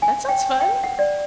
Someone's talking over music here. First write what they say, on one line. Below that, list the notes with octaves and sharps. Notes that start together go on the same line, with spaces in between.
That sounds fun.
G#5
G5
G5
F#5
D5